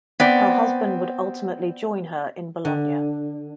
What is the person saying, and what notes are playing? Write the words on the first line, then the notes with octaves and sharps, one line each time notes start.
Her husband would ultimately join her in Bologna.
B3 C4 D5
D3